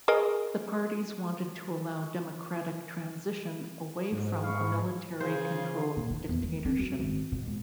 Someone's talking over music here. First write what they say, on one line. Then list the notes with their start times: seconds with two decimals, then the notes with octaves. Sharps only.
The parties wanted to allow democratic transition away from a military controlled dictatorship.
0.08 G#4 A#4 D#5
4.12 G#2
4.43 F5 B5 C#6
5.20 C#3 E3 F4 G#4 C5
5.97 A#2
6.10 E3
6.29 E2
6.42 A3
6.65 C4
6.79 F#2
6.99 G#1
7.32 B2
7.48 G#2